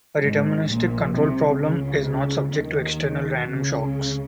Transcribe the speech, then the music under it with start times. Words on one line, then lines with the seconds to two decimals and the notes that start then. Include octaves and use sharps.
A deterministic control problem is not subject to external random shocks.
0.22 G#1 G#2
0.69 A#1 A#2
1.15 C2 C3
1.61 C#2 C#3
2.54 D#2 D#3
3.47 C#2 C#3